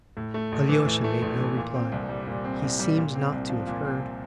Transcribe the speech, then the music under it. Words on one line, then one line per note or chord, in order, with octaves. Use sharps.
Alyosha made no reply, he seemed not to have heard.
A2
A3
A#1
E3
A2
A3
A#1
E3
A#2
C4
C2
G3
A#2
C4
C2
G3
A#2
C4
C2
F3
A#2
C4